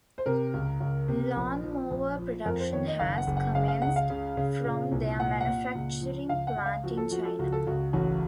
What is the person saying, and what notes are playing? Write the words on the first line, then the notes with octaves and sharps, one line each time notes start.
Lawnmower production has commenced from their manufacturing plant in China.
C5
C3 A#4
C#2
C#2
C3
A#1
F3
A#1
F3
F2 A#4
C5
D#3 C#5
D#5
F#1 F5
F#5
F#1
F#5
C#3 F5
F5
C#2 F#5
F5
C#3
C#3
A#2
C2
A#2 F#5
F#5
A#2
C#2
F3
C#2 F5
F#5
C#2
F5
F3 F#4
A4
F3 F#4
A4
C#2 F#4
A4
C#2 F#4
A1 F#4